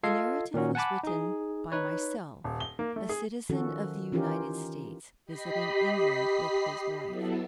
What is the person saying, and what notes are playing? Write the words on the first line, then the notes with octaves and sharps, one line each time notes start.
The narrative was written by myself--a citizen of the United States, visiting England with his wife.
F4 A4 D#5 F5 G#6 C7
A#2 D#3 C#4 F#4
F#5 G#5 A5 B5 D6
D#4 G#4
D#4 B4 C#5
D#1
G7
A#3
A3
G#4
D#3 F3 C#4 F#4 A4
E3 C#4 D#4 F4 G4 A#4
G4 D#5 B5 B6 C7
F#3 B3 E4 A4